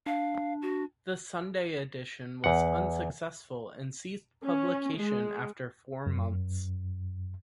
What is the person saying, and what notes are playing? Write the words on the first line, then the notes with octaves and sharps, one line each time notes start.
The Sunday edition was unsuccessful and ceased publication after four months.
D4 F5
F#4
E2 F#5
C#4
G#3
F#2